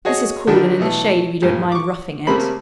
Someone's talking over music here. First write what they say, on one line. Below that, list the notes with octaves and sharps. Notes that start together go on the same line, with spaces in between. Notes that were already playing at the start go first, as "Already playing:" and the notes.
This is cool and in the shade, if you don't mind roughing it.'
F#4 G#4 C#5 D#5
D3 D#3 F3 G3 D4
B2 E3 A3
G2 A#2 F3
C#6 D6
C#3 G3 A3 A#3 C4 B5